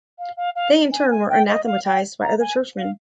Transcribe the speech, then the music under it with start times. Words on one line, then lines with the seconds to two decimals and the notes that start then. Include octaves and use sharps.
They in turn were anathematized by other churchmen.
0.19 F5
0.37 F5
0.56 F5
0.92 G#5
1.11 G#5
1.29 G5
1.48 D#5
1.66 F5
1.85 G5
2.22 A#5
2.41 G#5
2.78 F5